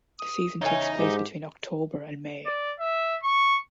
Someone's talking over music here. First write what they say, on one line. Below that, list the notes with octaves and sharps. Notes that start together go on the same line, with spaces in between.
The season takes place between October and May.
D#6
E2 C#3 D#4 C#5 G#5
G#2 G4
D5
E5
C#6